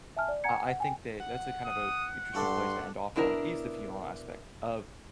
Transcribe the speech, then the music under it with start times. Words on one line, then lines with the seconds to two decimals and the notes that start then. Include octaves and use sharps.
I- I think that that's a kind of a interesting place to end off on, is the funeral aspect of
0.17 E5 G#5 A5 F6
0.28 D5
0.44 F#5 G#5 A#5 G#6 C#7
0.67 F#5
0.80 G5 G#5
1.20 F#5
1.65 D#6
2.35 G2 F#4 A4 D5 C6
3.16 B2 D4 E4 A#4